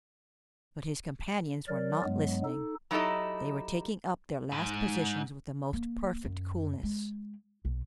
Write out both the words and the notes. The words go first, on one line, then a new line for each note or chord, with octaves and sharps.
But his companions were not listening; they were taking up their last positions with the most perfect coolness.
F#3 A#4 D5
G2 F#3 G#3 B3
D#4 A4
F#3 D#4 E4 G4 A4 D#5
G#2
A#3
F#2
G#3
B1